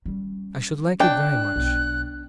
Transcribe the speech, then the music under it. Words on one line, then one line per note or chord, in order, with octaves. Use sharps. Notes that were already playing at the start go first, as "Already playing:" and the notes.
'I should like it very much.
G3 C#4
D4 G5 F#6
B1